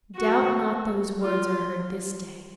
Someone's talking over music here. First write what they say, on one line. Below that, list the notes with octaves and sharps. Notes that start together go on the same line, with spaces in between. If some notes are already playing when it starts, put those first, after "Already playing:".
Doubt not those words are heard this day.
F#4
F4